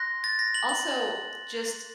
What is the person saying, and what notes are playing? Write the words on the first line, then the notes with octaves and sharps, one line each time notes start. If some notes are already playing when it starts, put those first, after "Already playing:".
Also, just
Already playing: C6 F#6 A#6
A6
A#6
F#7
F#7